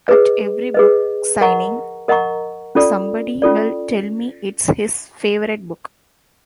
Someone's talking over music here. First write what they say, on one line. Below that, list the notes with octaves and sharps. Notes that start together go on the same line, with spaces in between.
At every book signing, somebody will tell me it's his favorite book.
G#4 B4 D#5
G#4 B4 D#5
A#4 D#5 F#5 A#5 C#6
A#4 D#5 F#5 A#5 C#6
C#4 F4 A4 D5
C#4 F4 A4 D5